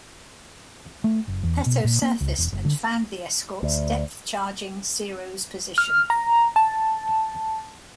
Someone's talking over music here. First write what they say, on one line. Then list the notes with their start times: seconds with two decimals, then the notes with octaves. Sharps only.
"Peto" surfaced and found the escorts depth charging "Cero"s position.
1.04 A3
1.28 F#1
1.43 E2
1.66 B2
1.84 A#2
2.02 A#3
2.21 C#2
2.38 E1
2.52 F#1
2.65 D3
3.63 D2
5.78 F6
6.10 A#5
6.56 A5